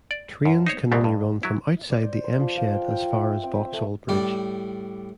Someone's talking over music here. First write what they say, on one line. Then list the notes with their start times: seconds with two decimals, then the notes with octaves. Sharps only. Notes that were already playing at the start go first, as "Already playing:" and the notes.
Trains can only run from outside the M Shed as far as Vauxhall Bridge.
0.11 D5
0.45 F#2
0.66 D#4 C5 C#5
0.92 C2 G#2 B2 B3 C4
1.04 G2
1.43 F#3 E4
1.91 D5
2.03 C5
2.24 C5
2.40 F3
2.57 F5
2.72 G5
2.91 G5
3.12 E5
3.43 C4
3.55 E5
3.73 A3
4.09 A2 G3 D5